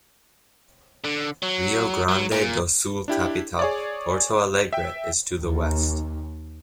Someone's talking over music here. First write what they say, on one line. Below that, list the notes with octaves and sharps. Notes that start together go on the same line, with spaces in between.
Rio Grande do Sul capital, Porto Alegre, is to the west.
D3
F#3
F#3
A#2
D4 E4 G4
G#4 C#5 D5
E5 G5
D#2